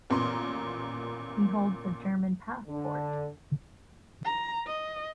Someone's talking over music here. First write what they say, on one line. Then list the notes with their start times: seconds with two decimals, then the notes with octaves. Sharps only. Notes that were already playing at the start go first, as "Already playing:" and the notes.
He holds a German passport.
0.10 A1 A#2 B3 A#4 C6
2.68 D3
4.25 A#5
4.67 D#5